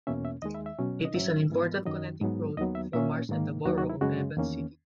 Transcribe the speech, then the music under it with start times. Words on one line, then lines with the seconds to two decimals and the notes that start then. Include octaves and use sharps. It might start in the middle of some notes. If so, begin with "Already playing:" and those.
It is an important connecting road for Mars and the borough of Evans City.
0.07 E2 B2 A#3 C#4 E5
0.25 E5
0.42 D#2 D#3 G#3 D#5
0.55 E5
0.66 E5
0.79 B2 F#3 C#4
1.05 D#5
1.14 G#2 F#3 C#4 E5
1.50 G#2 E3 B3
1.86 F#2 D#3 F#3 D#5
2.21 G#2 F#3 B3
2.57 D#2 D#3 F#3 B3 D#5
2.75 E5
2.93 A#2 A#3 C#4 E5
3.29 G#2 D#3 A#3
3.65 D#2 D#3 F#3 F#4
3.78 F#4
3.90 E4
4.01 F#2 C#3 G#3 F#4
4.37 E2 D#3 A#3 C#4